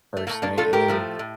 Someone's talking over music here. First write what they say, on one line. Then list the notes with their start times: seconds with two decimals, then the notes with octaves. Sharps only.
personally, and,
0.17 A3
0.27 A2 A3 A#3
0.42 A#3 D4
0.58 A2 A3 F4 A4
0.73 G4 A#4
0.88 A2 F3 A3
1.19 A2